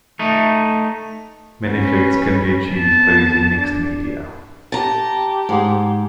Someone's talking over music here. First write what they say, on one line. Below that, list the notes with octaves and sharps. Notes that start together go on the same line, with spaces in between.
Many effects can be achieved by using mixed media.
A3 D#4
C#4 B4
B3 A5
D4
G4 A5 A#5
G#2 G#4